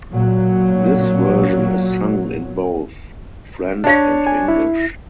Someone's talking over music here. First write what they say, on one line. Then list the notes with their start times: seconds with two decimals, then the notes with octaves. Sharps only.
This version is sung in both French and English.
0.11 A#2 F#3
3.84 D4 C#5
4.27 G#5
4.48 E4